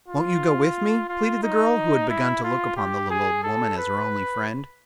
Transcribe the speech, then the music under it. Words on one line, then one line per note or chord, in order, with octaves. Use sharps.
"Won't you go with me?" pleaded the girl, who had begun to look upon the little old woman as her only friend.
F4
F4
D#4
E4
F4
G4
G#4
A4
B4